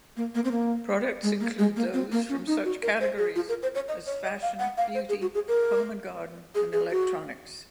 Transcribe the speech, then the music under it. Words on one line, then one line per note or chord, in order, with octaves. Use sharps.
Products include those from such categories as fashion, beauty, home and garden, and electronics.
A#3
A#3
C4
A#3
G#3
A#3
G#3
A#3
C4
A#3
C#4
D#4
F#4
A#4
C5
G#4
F4
A#4
C5
C#5
D#5
C#5
D#5
F5
F#5
F5
C5
G#4
F#4
G#4
A#4
G#4
G#4
F#4